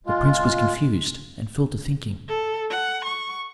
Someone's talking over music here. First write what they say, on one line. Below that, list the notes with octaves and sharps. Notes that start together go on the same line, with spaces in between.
The prince was confused and fell to thinking.
G#3 F4
A4
F#5
C#6